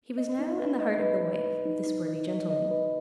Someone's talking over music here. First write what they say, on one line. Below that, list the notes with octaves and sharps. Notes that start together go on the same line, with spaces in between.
He was now in the heart of the wife of this worthy gentleman.
D#5
D#4
B4
D#5
B4
B4
B4
D#4
D#4
D#5
D#5
D#5
B4